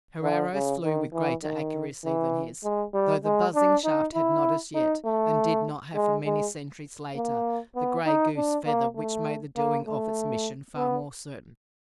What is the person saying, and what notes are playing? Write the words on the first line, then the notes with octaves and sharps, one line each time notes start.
Her arrows flew with greater accuracy than his, though the buzzing shaft had not as yet, and did not have for many centuries later, the "gray goose" feather which made the doing of its mission far more certain.
D3
C#3
D#3
E3
D#3
E3
G#3
G3
G#3
D4
D#4
E4
D#4
A3
G#3
G#3
A#3
B3
D#4
D4
A#3
A3
A#3
A3
B3